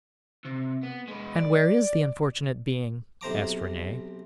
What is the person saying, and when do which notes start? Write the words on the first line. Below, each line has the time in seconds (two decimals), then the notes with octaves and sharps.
"And where is the unfortunate being?" asked Renee.
0.45 C3
0.83 B3
1.08 G#3 B4
1.35 D5
3.21 B1 C3 C5 A#5 D6